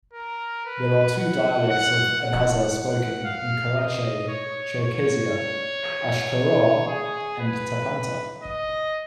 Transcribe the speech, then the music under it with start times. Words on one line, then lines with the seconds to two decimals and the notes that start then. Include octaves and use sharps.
There are two dialects of Abaza spoken in Karachay-Cherkessia: "Ashkharua" and "Tapanta".
0.14 A#4
0.66 B4
1.18 F#5
1.70 F#5
2.21 F#5
2.73 F#5
3.24 F5
3.76 D#5
4.28 C#5
4.80 C#5
6.88 G#4
7.40 B4
8.43 D#5